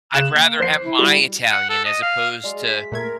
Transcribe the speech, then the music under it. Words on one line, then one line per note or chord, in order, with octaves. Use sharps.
I'd rather have my Italian as opposed to
C#3 F#6 E7
A#3
F3 C5 C7
E4
G3
F#5
A4
D#5
F5
F#3 G#3 D5 F5
E5 B6
A#2 A3 A#4 G#6